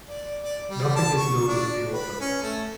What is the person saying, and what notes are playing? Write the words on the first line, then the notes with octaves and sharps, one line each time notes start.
Nothing is known of the author.
D5
D5
G3
A5
C#6
D4
B4
C#4
A3